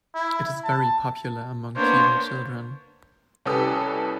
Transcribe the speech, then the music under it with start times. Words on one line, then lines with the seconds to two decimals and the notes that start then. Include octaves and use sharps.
It is very popular among Cuban children.
0.15 E4
0.64 A5
1.76 A#3 B3 D4 C5 C#5
3.46 C2 C#4 G4 A4 B4 D#6